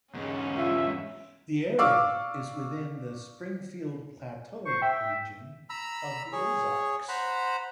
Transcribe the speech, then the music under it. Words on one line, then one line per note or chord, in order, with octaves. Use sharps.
The area is within the Springfield Plateau region of the Ozarks.
E2 G#2 C#4
F4 E5
D5 F5 C#6 D6 E6
C5 C#6
E5 G5
A#5 B5 E6
G#4 C#5
C5 F#5 A#5 B5